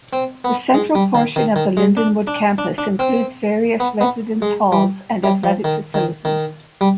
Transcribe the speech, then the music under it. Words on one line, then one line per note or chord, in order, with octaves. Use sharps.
The central portion of the Lindenwood campus includes various residence halls and athletic facilities.
C4
B3
G#3
G3
D#3
D#3
D#3
G#3
D4
D4
D4
D4
C4
B3
B3
G#3
G3
G3
F3
D#3
D#3
D#3
G3